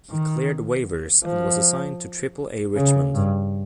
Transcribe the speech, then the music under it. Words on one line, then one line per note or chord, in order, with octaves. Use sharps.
He cleared waivers and was assigned to Triple-A Richmond.
D#3
F3
C#3
G2